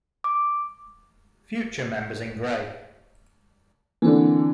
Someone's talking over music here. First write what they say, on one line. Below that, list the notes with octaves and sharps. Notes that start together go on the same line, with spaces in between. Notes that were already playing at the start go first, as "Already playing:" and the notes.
Future members in gray.
D6
D3 E3 A#3 C4